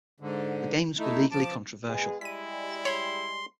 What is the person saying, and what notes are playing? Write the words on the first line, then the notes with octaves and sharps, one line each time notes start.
The games were legally controversial.
G#2 D3
A3 D#4 E4
F3 A5 D6
G#3 B3 G#4
G3 G#3 E4 B6 D#7
C#5 B5 C6